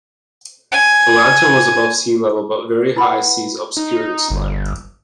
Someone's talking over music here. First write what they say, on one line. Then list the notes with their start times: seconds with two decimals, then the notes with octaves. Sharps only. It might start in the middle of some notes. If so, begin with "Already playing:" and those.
The lantern was above sea level but very high seas obscured its light.
0.72 G#5
2.96 E4 B4 F#5 B5
3.77 D#4
4.30 G1